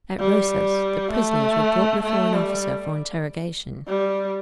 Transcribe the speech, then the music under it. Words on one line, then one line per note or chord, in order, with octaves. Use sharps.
At Rosas the prisoners were brought before an officer for interrogation.
G3
A3
A3
G3
G3